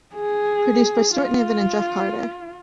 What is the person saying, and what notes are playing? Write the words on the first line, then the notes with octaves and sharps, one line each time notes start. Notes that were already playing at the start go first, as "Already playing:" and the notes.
Produced by Stuart Niven and Jef Carter.
G#4
F4